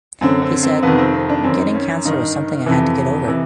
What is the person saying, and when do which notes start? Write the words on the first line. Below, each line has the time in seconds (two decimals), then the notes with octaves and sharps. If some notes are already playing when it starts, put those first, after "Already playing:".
He said: Getting cancer was something I had to get over.
0.21 F#2 D3 C4
0.42 C4
0.63 C4
0.83 F2 C3 D#3 B3
0.98 C4
1.13 C4
1.29 D4
1.44 F#2 D#3 C4
1.75 C#4
2.05 G2 D#3 D#4
2.66 F2 C3 E3
3.27 C3 E3